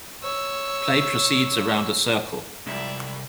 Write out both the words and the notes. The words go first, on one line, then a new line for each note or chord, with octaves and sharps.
Play proceeds around a circle.
C#5 E6
C2 F3 G3 G#3 D5 E5